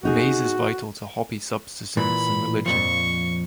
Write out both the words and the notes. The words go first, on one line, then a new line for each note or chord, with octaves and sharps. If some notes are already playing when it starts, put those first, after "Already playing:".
Maize is vital to Hopi subsistence and religion.
B3 D#4 F#4 G#4
A#2 E3 B5
F2 A#2 F3 C#6